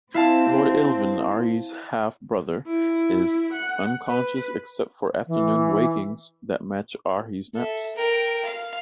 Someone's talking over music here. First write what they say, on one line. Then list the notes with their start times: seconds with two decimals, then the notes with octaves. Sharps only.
Lord Illvin, Arhys's half-brother, is unconscious except for afternoon wakings that match Arhys' naps.
0.14 C4 E4 F5 A5
2.67 E4
3.53 F#5
4.07 B4
5.27 E3
7.55 A4 E5
7.95 A#4 G5
8.43 F5